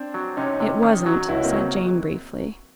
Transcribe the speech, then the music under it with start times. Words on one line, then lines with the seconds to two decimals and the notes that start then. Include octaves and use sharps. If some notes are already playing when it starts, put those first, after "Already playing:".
'It wasn't,' said Jane briefly.
Already playing: C4 D4
0.14 F#3
0.37 C3 C#4 D#4
0.60 C3
0.83 D#3
1.06 F#3
1.29 C#2 E4 F#4
1.44 A#3 C4
1.52 F#3